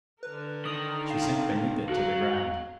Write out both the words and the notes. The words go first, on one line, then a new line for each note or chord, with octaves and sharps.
She sank beneath it, to the ground.
D3 A#4 B4
D#3 D#6
F5
F#4 A#5